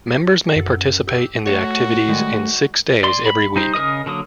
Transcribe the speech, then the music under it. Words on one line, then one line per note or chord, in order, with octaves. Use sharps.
Members may participate in the activities in six days every week.
F#2 A4
G4 E6
A3 F#4 C#5
D#3 G3 G#3
D5 C6
B5
G3 D#4 C5
C#3 A#4 D#5 D#6
D3 F#3 A#3 D#6